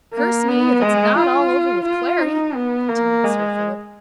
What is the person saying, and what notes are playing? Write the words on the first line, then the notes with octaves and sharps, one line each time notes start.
"Curse me, if it's not all over with Clary," continued Sir Philip.
A#3
B3
G#3
F4
F4
D#4
B3
A#3
G#3